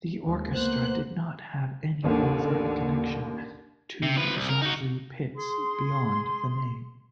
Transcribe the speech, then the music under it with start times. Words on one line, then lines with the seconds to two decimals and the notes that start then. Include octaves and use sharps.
The Orchestra did not have any overt connection to ZaSu Pitts beyond the name.
0.23 D#2 G#3
0.53 D2 A#3 B3 C5 F#6
2.04 A1 D#2 D3 A#3
4.03 C3
4.16 F3 B4
4.35 C2
4.49 A#4
4.62 D#4 F#4
5.36 G#4 C6